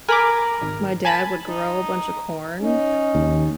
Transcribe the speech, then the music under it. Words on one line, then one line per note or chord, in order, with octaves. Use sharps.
my dad would grow a bunch of corn,
A#4 G#5 B5 D6
G#1
G#5 A5 B5
D#4
C#4 D#4
D#2